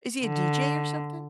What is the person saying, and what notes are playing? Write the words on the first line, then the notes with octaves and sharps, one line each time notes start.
Is he a DJ or something?
D3